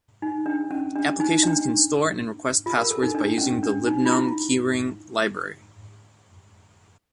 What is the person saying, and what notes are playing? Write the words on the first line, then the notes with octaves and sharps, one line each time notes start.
Applications can store and request passwords by using the "libgnome-keyring" library.
D#4
D4
C#4
D4
D#4
D4
F4
A#4
A4
D#4
D4
C#4
D4
D#4
F4
E4